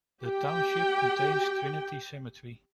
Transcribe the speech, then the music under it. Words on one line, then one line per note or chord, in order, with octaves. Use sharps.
The township contains Trinity Cemetery.
G4 G5